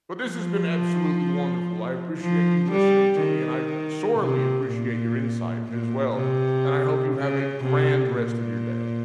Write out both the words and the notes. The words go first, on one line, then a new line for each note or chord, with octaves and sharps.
But this has been absolutely wonderful, I appreciate you listening to me, and I sorely appreciate your insight, as well. And I hope you have a grand rest of your day.
F3
F3
G3
D#3
C3
A#2
A#2
C3
C#3
C3
A#2